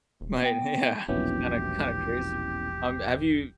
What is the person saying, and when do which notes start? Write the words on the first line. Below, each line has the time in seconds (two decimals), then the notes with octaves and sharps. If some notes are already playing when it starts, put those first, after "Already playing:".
you might Yeah. It's kinda kinda crazy. Um, have you
0.21 D#1
0.42 B3 G5
1.08 E1 A#1 F#3 B3 C#4 E4 G4